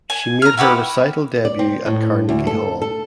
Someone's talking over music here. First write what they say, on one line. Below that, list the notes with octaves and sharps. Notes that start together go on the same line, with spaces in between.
She made her recital debut at Carnegie Hall.
G#5
A#5 F6
E4 F#4 G4 B4
D5
C4
A2
D2
A4
A4